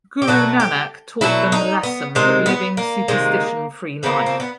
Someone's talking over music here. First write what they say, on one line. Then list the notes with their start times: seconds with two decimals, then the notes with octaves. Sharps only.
Guru Nanak taught them lesson of living superstition free life.
0.22 G4
0.27 B2 F#3 A3 F#4
0.60 G4
1.21 B2 F#3 A3 E4
1.52 D#4
1.83 B3
2.15 C3 D#3 G#3 C4
2.46 B3
2.77 A#3
3.08 C3 D#3 G#3
4.03 C#3 F3 A#3 B3
4.26 C4
4.40 B3